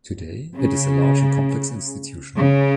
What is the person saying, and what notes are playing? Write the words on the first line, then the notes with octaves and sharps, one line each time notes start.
Today, it is a large and complex institution.
C#3
C#3